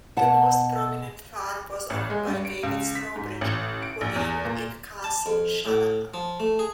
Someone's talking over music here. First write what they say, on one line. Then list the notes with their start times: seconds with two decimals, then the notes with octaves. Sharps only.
The most prominent farm was owned by David Strawbridge, who named it Castle Shanahan.
0.17 B2 F#5 A5
1.90 A1
2.10 G#3
2.27 G2
2.45 D7
2.63 C#2
2.95 B6
3.16 G#2
3.41 A1
3.82 D7
4.01 A#1
4.16 E2
4.45 A#2
5.04 A5
5.26 F2
5.66 A2
6.14 F3
6.40 A3
6.59 G#4